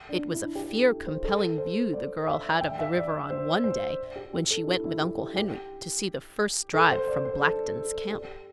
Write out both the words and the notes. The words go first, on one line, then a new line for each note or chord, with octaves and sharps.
It was a fear-compelling view the girl had of the river on one day when she went with Uncle Henry to see the first drive from Blackton's camp.
D4
E4
G4
A4
C5
A4
C5
D5
E5
G5
E5
D5
C5
C5
G4
G4
A4
E4
E4
G4
G4
G4
A4
C5
D5
C5
A4
A4
G4